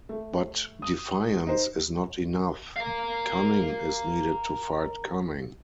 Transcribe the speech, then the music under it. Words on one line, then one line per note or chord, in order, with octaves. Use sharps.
But defiance is not enough; cunning is needed to fight cunning.
A3
D#6
D#4 C5
A#4 F5